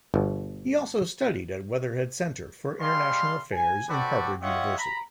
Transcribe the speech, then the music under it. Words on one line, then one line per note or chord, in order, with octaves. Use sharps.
He also studied at Weatherhead Center for International Affairs in Harvard University.
G1 B2
G3 G#3 C4 F5 C6
G#5
C4 F#4 G4 A4 B4 D5
F4 G4 C#5 D#5 E5 F#5
A#5 B5